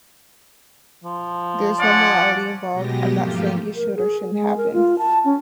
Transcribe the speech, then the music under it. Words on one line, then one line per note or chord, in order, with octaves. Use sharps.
There's no morality involved, I'm not saying it should or shouldn't happen.
F3
C#4 D5 F#5
B2 F#3 G#3 B3 G4 A#6
G#2 F3 A3 A#3 F4 G4
A#4
G#4
G#3
A#4
F4
A5
C#4